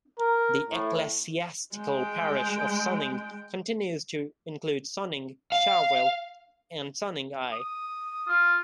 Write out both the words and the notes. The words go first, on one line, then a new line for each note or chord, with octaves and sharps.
The ecclesiastical parish of Sonning continues to include Sonning, Charvil and Sonning Eye.
A#4
A2
G#3 G5
F5
D#6
F4